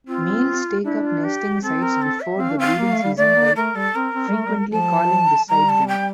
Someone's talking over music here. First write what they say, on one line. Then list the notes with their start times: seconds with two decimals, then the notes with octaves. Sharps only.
Males take up nesting sites before the breeding season, by frequently calling beside them.
0.07 C4 F4
0.84 D4 E4
1.04 F4
1.23 G4
1.62 C4 A4
1.82 A#4
2.01 A4
2.20 E5
2.39 C4 F5
2.51 D4
2.59 C4 F5
2.78 A#3
2.91 A3
3.03 G3
3.17 A3 D5
3.36 A#3
3.56 A3 A#4
3.75 G3 A4
3.95 C4 A#4
4.14 C4
4.28 G3
4.33 A3
4.46 G3
4.71 F3 A5
5.49 G3 A#5
5.69 A5
5.88 G5